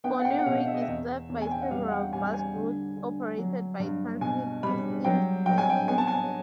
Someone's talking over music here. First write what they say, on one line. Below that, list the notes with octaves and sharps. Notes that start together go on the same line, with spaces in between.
Bonnyrigg is served by several bus routes operated by Transit Systems Sydney.
B3 G5
F#5
G5
F#5
B2 F5
E5
D#5
E5
E2
E2
G#5
G5
F#5
G3 F5
F#5
G5
G3 G#5
G#5
D3
D3
F#3
G2
B2 G#5
G3 B5
F#3 G5
F#3 G5
G#5
G5
B3 G#5
A5
G#5